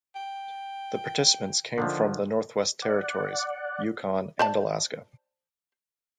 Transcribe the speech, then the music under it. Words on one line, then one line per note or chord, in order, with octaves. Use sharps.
The participants came from the Northwest Territories, Yukon and Alaska.
G5
D3 D#3 F3
D5 F#5
C5 D5 A5